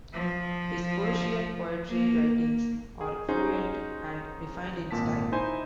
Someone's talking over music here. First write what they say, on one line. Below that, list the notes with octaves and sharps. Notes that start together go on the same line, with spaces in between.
His Persian poetry writings are fluent and refined in style.
F3
A#3
G#4
C#4 D#4 F#4 G#4 C5
G#1 A#2 A5 B6
D#4 E4 C5 G#5